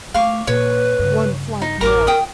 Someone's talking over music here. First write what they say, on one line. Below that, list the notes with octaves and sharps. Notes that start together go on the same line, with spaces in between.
One flight more!
A3 F5 C#6 D6
A#2 B4 C#5
G2 C#3
D#4
A1 F#2 A#4 A#5 C#6 D6
F4 G5 D#6